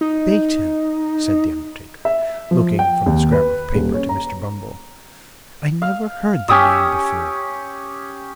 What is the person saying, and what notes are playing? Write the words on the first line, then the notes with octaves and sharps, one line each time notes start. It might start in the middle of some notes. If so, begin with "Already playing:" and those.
'Bayton,' said the undertaker, looking from the scrap of paper to Mr. Bumble. 'I never heard the name before.'
D#4
E5
F3
G5
D#2
B4
D#1
C#4
A#5
F5
C#4 G4 D#6 E6